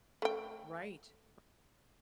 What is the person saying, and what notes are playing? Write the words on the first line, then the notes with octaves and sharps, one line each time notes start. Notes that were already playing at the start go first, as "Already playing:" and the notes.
Right. R
A3 G5